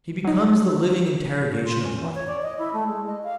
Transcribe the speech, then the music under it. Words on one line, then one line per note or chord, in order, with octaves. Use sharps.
He becomes the living interrogation of life.
F#3 D#4
F4
C#4
E3
C#5
D5
D#5
E4
A3
G#3
D#5
F5